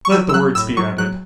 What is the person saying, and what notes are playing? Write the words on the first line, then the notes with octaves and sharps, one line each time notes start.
Let the words be added.
C#6
F#3 E6
E6
F#3 F#6
A2 E6
F#3 C#6
F#3 F#6